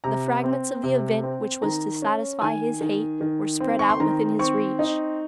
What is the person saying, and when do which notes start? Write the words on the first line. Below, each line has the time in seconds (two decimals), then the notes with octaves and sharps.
The fragments of the event which was to satisfy his hate were spread out within his reach.
0.04 C3 A#5
0.44 C4
0.83 C3
1.23 C4
1.62 D#3 A#5
2.02 C#4
2.42 D#3 G#5
2.81 D#3
3.21 D#3
3.60 C4
3.79 C#6
3.89 C6
4.00 D#3 A#5
4.39 C4 C#6
4.79 D#4